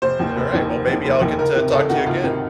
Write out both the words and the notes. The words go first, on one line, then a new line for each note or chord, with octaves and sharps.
Alright, well, maybe I'll get to talk to you again.
F1 C5
D#2 D#3
F1
D#2 D#3
F1
D#2 D#3
F1
D#2 D#3
C#2 A#4
C3 D#3
C#2 A4
C3 D#3 F#4
C#2 F4
C3 D#3